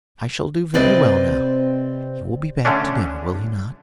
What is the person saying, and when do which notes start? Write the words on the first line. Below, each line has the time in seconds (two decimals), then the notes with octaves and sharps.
"I shall do very well now. He will be back to dinner, will he not?"
0.74 C3 C4 B4 D5 D#5
2.65 D3 A3 C#4 D4